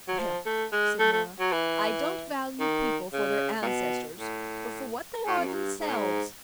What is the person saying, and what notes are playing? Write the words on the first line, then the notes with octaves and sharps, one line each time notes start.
"Well," said Nora, "I don't value people for their ancestors, but for what they are themselves."
F#3
F3
A3
G#3
A3
A3
F#3
E3
D#3
C#3
A#2
B2
A2
A2
F2
F#2
G2
G#2
A2
G#2